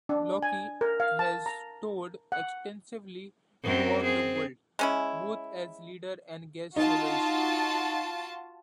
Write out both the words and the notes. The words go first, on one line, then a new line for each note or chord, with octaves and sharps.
Locke has toured extensively throughout the world, both as leader and guest soloist.
D4
G#5
A#4
F5
A5
A#5
F#5
F#2 C4 A#4
C4 G#4
G#3 C#4 E4
D#4 F4 F#4 A5